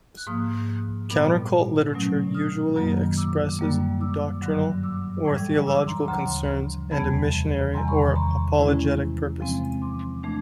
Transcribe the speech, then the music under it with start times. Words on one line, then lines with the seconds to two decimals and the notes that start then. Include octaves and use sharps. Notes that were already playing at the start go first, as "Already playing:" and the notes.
Countercult literature usually expresses doctrinal or theological concerns and a missionary or apologetic purpose.
0.17 F#6
0.27 G#2 F3 A#3 D#6 F6
1.10 A#2 G3 B3
1.93 B2 F#3 A3 C#4
2.35 D#6 F6
2.76 F#2 D#3 F#3 A#3
3.17 D6 E6
3.59 F#2 D3 G3 A#3
4.01 D6 E6
4.42 G2 D3 F#3
4.83 D6 E6
5.25 A2 E3 G3
5.67 D6 E6
5.87 A#5 C6
6.08 D2 C#3 F3 A#5 C6
6.91 E2 C3 E3 G3 B3 A5 B5
7.74 E2 C3 D#3 G3 A#5 C6
7.88 B5 C#6
8.02 B5 C#6
8.16 A#5 C6
8.57 C3 E3 G#3 C#4 E4
9.41 C3 F3 G#3 C4
9.82 C6 D6
10.23 E3 A3 D4